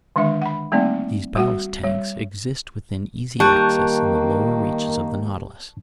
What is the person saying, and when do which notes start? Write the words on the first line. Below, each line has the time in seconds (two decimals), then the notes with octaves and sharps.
These ballast tanks exist within easy access in the lower reaches of the Nautilus.
0.16 D3 D#3 G#3 D4 E5
0.42 F#5 B5
0.72 G3 A3 A#3 C4 D#4 D5
1.36 G3 F#4 F#5
1.83 G3 C#5
3.40 D#3 G3 A#3 A5 C#6 F#6